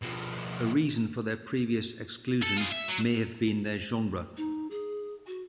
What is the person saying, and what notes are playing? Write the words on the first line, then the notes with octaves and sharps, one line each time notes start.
A reason for their previous exclusion may have been their genre.
B2 F3
A4
F4 G#4
E5
F#3
D#4
G#4
F#4